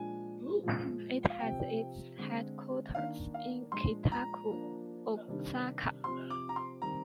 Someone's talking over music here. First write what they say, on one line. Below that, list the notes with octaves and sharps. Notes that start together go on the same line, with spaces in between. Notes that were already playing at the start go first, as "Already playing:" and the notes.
It has its headquarters in Kita-ku, Osaka.
Already playing: A#2 F3 G#3 D4 G#5
A#2 F3 G#3
F5
C3 F3 C4 G5
D3 G#3 C4
D#3 A#3 D4 F5
F5
A#2 F3 G#3 D4 C6
A#5
F3 A#3 D4
C3 D#3 G3 D4
C3 F3 C4 C6
D6
A#5
C6
D#3 G3 C4 A#5